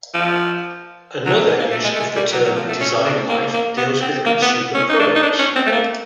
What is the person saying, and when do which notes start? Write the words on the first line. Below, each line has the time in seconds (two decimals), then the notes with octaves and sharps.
Another use of the term design-life deals with consumer products.
0.14 F3
1.26 F#3
1.35 G3
1.47 G#3
1.60 A#3
1.71 A3
1.84 G#3
1.95 A3
2.00 G#3
2.16 G3
2.32 F#3
2.45 F#3
2.56 F3
2.69 A3
2.81 C#4
3.05 D4
3.29 A#3
3.53 A#3
3.77 B3
4.02 C4
4.26 A#3
4.42 B3
4.74 C#4
4.89 D#4
4.99 D4
5.15 D#4
5.23 D4
5.39 C#4
5.56 C4
5.66 A3
5.72 A#3